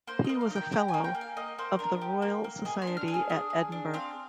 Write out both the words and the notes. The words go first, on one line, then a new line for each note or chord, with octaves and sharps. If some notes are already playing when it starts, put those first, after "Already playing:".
He was a Fellow of the Royal Society of Edinburgh.
A#3 C5
A#3 D#5
F5
D#4 G5
G4 A#5
G#5
A#3
G5
A#3
F5
A#3 D#5
A#3 C5
D4 A#4
G4
A#3
A#3
G#4 D#5
C6
D4
F6
G#4
F6
D4 D#6
G#4
D4
C4 F5